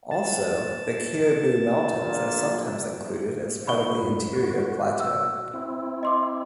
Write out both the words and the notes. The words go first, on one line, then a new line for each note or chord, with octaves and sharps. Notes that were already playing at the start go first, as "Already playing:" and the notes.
Also, the Cariboo Mountains are sometimes included as part of the Interior Plateau.
A5
A#1 A#2
D#4 B5 C#6 G7
F#2 A2
F#4
E6
C4 E4
D#5 C6 D6